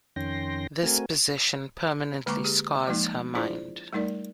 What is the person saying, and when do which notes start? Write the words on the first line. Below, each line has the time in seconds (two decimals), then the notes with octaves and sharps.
This possession permanently scars her mind.
0.16 F2 D#3 C#4 G5 C6 A#6
0.83 A3 C4 F#4 A#4 G#5
2.26 D3 G#3 A#3 A#5 C#6 D6
2.44 G4 G#4
2.87 F3 G#3 A#3 D#4
3.35 D4 E4 F4 G#4 C5 D5
3.93 G3 A3 D#4 A#4 D5